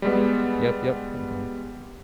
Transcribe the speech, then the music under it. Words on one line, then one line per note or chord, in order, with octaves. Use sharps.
Yep, yep. Have a good one.
G3 G#3 B3